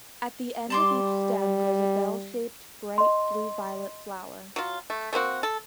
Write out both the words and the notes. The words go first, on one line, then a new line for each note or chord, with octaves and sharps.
At the end of each stem grows a bell-shaped bright blue-violet flower.
G3 A5 C6 D6
D#5 C6
F#3 F4
A3
A3 A#3 C4 F#4
A4